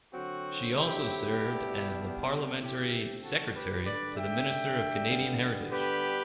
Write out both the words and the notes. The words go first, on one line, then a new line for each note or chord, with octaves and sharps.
She also served as Parliamentary Secretary to the Minister of Canadian Heritage.
D3 F#3 C4 F#4
E4 G4
B2 G3 B3 D4
D3 A3 C4 E4 G4
F#4 A4
G4 B4
D3 G3 D4 B4 D5
E5 G5
D3 G3 B3
G4 B4